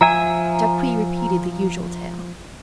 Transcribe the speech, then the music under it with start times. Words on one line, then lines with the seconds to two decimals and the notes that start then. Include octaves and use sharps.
Jacques repeated the usual tale.
0.01 F3 E5 G#5 A#5